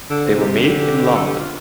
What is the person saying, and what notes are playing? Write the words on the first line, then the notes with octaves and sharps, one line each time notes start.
They were made in London.
D3 A4
C5
C3
G4
D3
A4
G4
F4